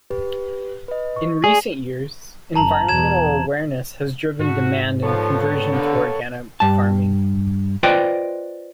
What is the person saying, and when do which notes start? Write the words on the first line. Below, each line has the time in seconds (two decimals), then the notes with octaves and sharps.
In recent years, environmental awareness has driven demand and conversion to organic farming.
0.10 G4 B4
0.88 B4 D#5
1.16 C#6
1.44 G#4 D5 G#5
2.56 F#1 A5 A#5 F#7
2.89 E2 B2 G#6 E7
4.39 G#2 A3 F#4
5.03 D#3 F3 G3 B3 A4 C#5
5.70 D3 G3 A#3 B3
6.60 G2 A5
7.83 F4 B4 C5 D5 D#5 G5